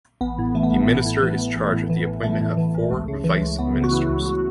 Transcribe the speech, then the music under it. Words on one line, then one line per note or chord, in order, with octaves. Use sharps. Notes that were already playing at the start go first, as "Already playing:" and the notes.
The minister is charged with the appointment of four vice ministers.
A1 B3
A2
E3 A3
B3
A1 A3
A1 B3
A2
E3
A1
A1
A2
E3
A1
A1 A3
A2
E3
A1
C#2
C#3
E3
C#2
C#2 B3
C#3
F#4
E3 E4
C#2
F#4